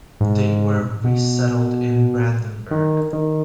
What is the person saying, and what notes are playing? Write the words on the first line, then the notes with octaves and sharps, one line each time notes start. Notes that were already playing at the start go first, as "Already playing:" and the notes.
They were resettled in Brandenburg.
G#2
B2
D#3
D#3